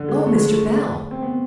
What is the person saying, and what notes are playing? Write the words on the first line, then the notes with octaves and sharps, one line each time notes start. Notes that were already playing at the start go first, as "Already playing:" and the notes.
'Oh, Mr. Bell!
Already playing: D3
G#3
A3
G#3
A3
C4
B3